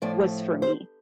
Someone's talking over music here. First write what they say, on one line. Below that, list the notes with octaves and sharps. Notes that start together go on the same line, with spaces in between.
was for me
A2 F3 A3 D5
C5